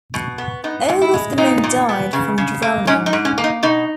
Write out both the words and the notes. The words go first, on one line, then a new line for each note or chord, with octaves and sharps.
All of the men died from drowning.
B2
B3
B3 D#4
G#2
E4
G#3
A#2 D#4
A#2
B3
C#3
C#3
A#3
G#2 C#4
D#4
G#2
C#4
A#3
D#4
B2 D#4